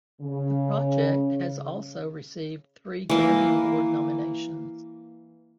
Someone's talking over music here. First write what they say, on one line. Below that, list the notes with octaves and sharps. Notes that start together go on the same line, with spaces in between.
The project has also received three Grammy Award nominations.
C#3
E3 A#3